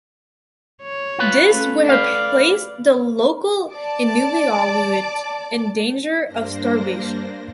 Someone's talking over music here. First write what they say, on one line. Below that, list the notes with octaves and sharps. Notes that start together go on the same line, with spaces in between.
This would have placed the local Inuvialuit in danger of starvation.
C#5
F4 B4
A3 C#4
B4 D5 F5
D5 A5 D6
G2 A#3 D4 C5 A#6